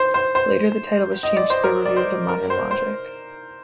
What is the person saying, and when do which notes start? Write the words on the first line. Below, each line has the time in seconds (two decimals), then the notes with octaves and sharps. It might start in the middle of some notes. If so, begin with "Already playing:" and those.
Later the title was changed to "The Review of Modern Logic".
Already playing: C5
0.14 C5
0.35 C5
1.23 D#5
1.37 D5
1.50 C5
1.64 A#4
1.86 D5
1.97 C5
2.29 A#4
2.50 C5
2.71 C5